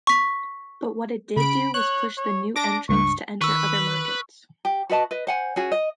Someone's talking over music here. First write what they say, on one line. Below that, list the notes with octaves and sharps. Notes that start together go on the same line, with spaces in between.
But what it did do was push the new entrants to enter other markets.
C#6 B6
C#3 B5 D7
C#5 F#6
C#5
D4 D6 A#6 D7
C#2 G2 C#6
D#3 B4 C#6 E6
G4
F#4 B4 D#5 A5
B4 D#5
C5 F#5 G#5
C#4 F#4 G#4
D#5